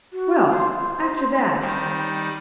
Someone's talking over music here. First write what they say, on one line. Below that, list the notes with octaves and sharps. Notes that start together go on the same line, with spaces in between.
Well, after that...
F#4
C5
D#3 G3